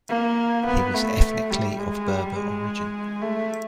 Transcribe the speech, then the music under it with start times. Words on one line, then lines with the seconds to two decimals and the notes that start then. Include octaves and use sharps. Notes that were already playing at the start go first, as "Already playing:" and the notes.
He was ethnically of Berber origin.
0.09 A#3
0.66 B3
0.94 A3
1.51 G3
1.79 G#3
2.08 G3
2.36 G#3
3.22 A3